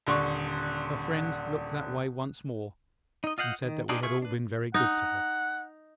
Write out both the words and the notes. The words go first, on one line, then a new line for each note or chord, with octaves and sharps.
Her friend looked that way once more, and said that we had all been very good to her.
D#1 D3 C6 C#6
D#4 D#5
F4 D#5 F5 F#5 G6
D#3
D4 D#4 F4 G4 G#4
F4 G#4 E5 C#6
D4 B4
D#4 F#5